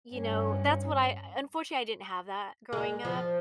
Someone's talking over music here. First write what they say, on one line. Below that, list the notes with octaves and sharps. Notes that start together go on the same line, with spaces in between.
you know, that's what I unfortunately, I didn't have that growing up.
G2 C#4
G#3
F3